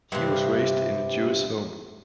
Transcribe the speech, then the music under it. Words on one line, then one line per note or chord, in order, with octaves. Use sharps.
He was raised in a Jewish home.
G2 C3